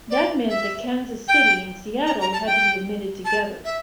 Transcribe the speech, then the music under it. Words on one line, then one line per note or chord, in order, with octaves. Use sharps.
That meant that Kansas City and Seattle had to be admitted together.
D5
E5
G5
A#5
A#5
A5
G5
A5
E5